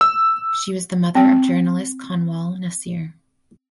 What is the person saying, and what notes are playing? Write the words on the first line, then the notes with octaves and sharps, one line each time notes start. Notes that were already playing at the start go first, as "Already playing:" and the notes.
She was the mother of journalist Kanwal Naseer.
E6
C4 G5